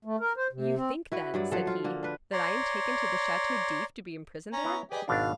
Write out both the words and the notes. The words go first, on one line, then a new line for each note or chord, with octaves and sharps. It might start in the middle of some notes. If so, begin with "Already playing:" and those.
"You think, then," said he, "that I am taken to the Chateau d'If to be imprisoned there?"
A3
A#4
C5
C3
C4
E4 F#4 B4
G2 F#3 D5
F3 F#3 A4
F4
D3 A#3
D4 B4
C#5 D5 A#5 C6
C#4 A#5
B3 E4
G4 G#4 B4 D5 D#5
G#1 B2 D4 F5